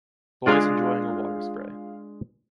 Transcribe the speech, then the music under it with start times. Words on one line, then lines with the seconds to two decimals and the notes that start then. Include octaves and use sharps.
Boys enjoying a water spray.
0.46 G#3 D4 F4 G#4 D5 F5